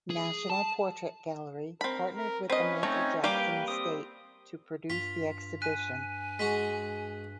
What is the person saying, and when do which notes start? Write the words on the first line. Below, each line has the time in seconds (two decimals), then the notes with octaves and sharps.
National Portrait Gallery partnered with the Michael Jackson Estate to produce the exhibition.
0.10 G#4
0.50 A5
1.81 C4 A#4 B5
2.15 A#4
2.50 C4 C#4 B4 D#5
2.83 A3 C4 D#4 C#5
3.24 G3 A#3 G4 B4 F5 G5
3.68 C4 D#6
4.90 G2 F4 B6 F7
5.62 G#5 F#6 B6 D#7
6.39 G#3 F#4 F#5 B6